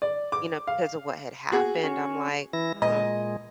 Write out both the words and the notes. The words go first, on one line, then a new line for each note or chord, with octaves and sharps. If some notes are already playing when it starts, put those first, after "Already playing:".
You know, because of what had happened, I'm like, "Huh"
D5
D6
F5
F#4 G#4
C#4
E3 E4 A#6
A#2 G#3 D#5